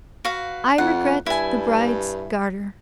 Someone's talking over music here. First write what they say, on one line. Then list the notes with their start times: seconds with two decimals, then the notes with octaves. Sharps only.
I regret the bride's garter.
0.25 F#4 B4 F5
0.78 F2 F#5
1.26 G2 E4 G#5